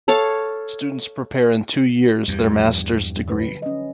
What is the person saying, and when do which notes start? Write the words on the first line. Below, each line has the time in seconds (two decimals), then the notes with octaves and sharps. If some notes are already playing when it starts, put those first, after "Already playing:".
Students prepare in two years their Master's degree.
0.08 A4 C#5 F5 A5
2.28 E2 G2 G3
2.56 F3
3.28 D3 F#3 B4
3.62 C#4 D#5